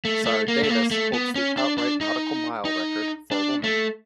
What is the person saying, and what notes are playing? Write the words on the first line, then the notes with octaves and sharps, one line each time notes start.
Zara Davis holds the outright nautical mile record for a woman.
A3
A3
A#3
A3
A#3
A3
B3
C#4
D4
D4
D#4
D#4
D4
A3